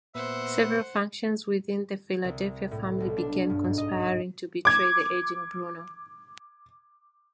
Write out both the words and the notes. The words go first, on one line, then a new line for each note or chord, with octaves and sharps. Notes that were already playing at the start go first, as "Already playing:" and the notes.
Several factions within the Philadelphia family began conspiring to betray the aging Bruno.
A#2 B3 B4 C5 E5 F#5
C2
A2
B1
D4
G2
G#2
D#5
D6 G#6